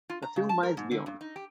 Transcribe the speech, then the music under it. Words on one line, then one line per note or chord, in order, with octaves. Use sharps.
A few miles beyond.
F4
A#5
C#3
A5
A#4
G#2
D3
G2
D#4
G4